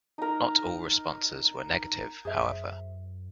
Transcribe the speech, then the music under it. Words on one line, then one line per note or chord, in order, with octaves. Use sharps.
Not all responses were negative, however.
D#4 A#4
F#2 G#4 C5 E5